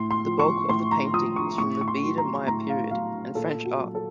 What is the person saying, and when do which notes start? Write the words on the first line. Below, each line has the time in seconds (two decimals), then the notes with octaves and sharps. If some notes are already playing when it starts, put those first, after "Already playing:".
The bulk of the painting is from the Biedermeier period and French art.
Already playing: A2 C6
0.11 C6
0.25 F3
0.39 C#6
0.69 A2 C6
0.91 A#5
1.13 F3 D#6
1.36 C#6
1.58 A2 C#6
1.81 C#6
1.88 C6
2.03 F#3
2.18 A#5
2.47 A2 A#5
2.70 F5
2.91 F#3 F5
3.35 A#2 A4
3.65 F#4
3.80 F#3
3.95 A4